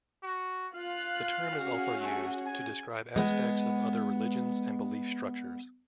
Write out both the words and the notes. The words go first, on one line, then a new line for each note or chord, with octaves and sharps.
The term is also used to describe aspects of other religions and belief structures.
F#4
F4 F5 F#6
C#4 F#4 G#4
A3
G#5
G#3 B3